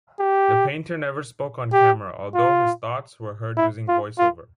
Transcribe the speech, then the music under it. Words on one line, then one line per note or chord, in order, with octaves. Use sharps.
The Painter never spoke on-camera, although his thoughts were heard using voice over.
G4
G4
F4
E4
F4
F4